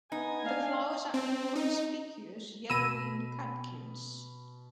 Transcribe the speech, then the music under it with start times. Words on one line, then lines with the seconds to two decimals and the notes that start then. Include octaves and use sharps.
The flowers are inconspicuous yellow-green catkins.
0.12 B3 D#4 G#5
0.45 D4 F5
1.14 C4
1.55 D#4
2.70 B2 B5 E6 A#6 D#7